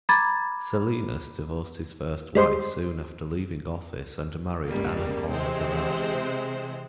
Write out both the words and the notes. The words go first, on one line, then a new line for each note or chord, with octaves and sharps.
Salinas divorced his first wife soon after leaving office and married Ana Paula Gerard.
A#5 B5 D6 G#6 A6
G3 G#3 C5 C6
G1 C#2 G3 A#3
C3 E3 G#3 C4 C5